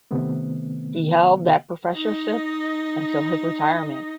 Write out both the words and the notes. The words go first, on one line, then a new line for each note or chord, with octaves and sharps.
He held that professorship until his retirement.
C3 D#3 A3 B3 C4
D#4 D#5